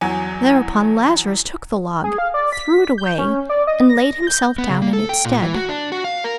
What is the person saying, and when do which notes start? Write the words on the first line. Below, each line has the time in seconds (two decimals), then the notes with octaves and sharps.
Thereupon Lazarus took the log, threw it away, and laid himself down in its stead.
0.01 E2 F#3 G#5
2.04 G#4
2.18 F5
2.34 D5
2.52 B6
2.98 G6
3.18 C#4
3.49 D5
3.67 D#5
3.89 A#6
4.27 G6
4.58 B3
4.69 C#3
4.82 A#3
4.93 A4
5.09 G5
5.25 A#2
5.42 E3
5.54 F#4
5.69 D4
5.92 F#4
6.04 F5
6.24 A#4